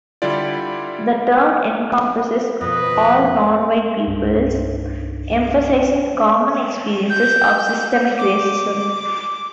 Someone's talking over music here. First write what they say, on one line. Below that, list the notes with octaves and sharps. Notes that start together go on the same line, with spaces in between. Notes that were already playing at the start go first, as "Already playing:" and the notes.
The term encompasses all non-white peoples, emphasizing common experiences of systemic racism.
D3 G3 E4 F4 G4 D5
F2 B2 B4 D#5
C2 G2 D4 D#4
G6
D6